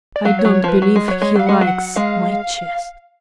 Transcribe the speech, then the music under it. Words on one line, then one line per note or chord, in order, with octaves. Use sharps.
"I don't believe he likes my chest."
D5
F#3 F5
C#5
F#3
C#5
F3 B4
F#3
G#3
F#3 C#5
G#3
F#3 F5
G#3 F#5
F5
F#3
F#5
G#3 F5